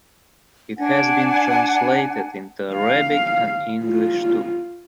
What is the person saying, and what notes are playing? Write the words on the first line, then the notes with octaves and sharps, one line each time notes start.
It has been translated into Arabic and English too.
D4 F#5 G#5
F5
F4